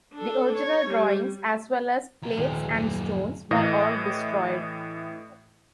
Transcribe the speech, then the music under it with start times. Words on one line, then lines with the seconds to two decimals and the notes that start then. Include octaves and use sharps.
The original drawings, as well as plates and stones, were all destroyed.
0.14 D4 A4
0.56 C#5
0.86 G3
2.23 F3 A#4
2.37 D#1 F3 G4
2.74 F#2 A#3
3.51 A2 E3 D#5